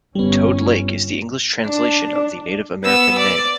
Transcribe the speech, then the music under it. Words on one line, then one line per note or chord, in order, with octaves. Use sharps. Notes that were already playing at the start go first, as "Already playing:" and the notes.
Toad Lake is the English translation of the Native American name.
G1 G3 B3 C#4
D4
B3 E6
D5